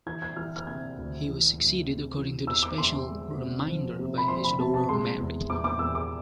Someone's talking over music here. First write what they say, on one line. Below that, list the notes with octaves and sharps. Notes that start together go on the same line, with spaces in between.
He was succeeded according to the special remainder by his daughter Mary.
E3 G#6
G#6
E3 F6
F6
C3 G#6
D2
E3
D2
C3
E3
E2 E6
D6
E2 C6
C6
G#3
C3
F3
C3
B5
F3 C6
B5
C3 A5
A5
G#3 C6
E2
E2 D6
D6
E2 E6
D6